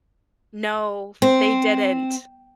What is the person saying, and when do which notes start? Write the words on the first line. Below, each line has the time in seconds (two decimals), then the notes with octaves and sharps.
No, they didn't.
1.22 C4